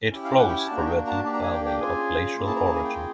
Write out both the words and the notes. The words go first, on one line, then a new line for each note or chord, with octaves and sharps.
It flows through a deep valley of glacial origin.
C#4 E4 G4
F5
F#5
G5
G#5
A#3 D4 F#4 A5
A#5
G5
A#5
A5
A#3 D4 G4 A5
A#5
G#5
G5
G5
C#4 F4 G#4 G#5
A#3 C#4 E4 G#4
A5
A#5
A5
G#5
G5
C#4 F4 G#4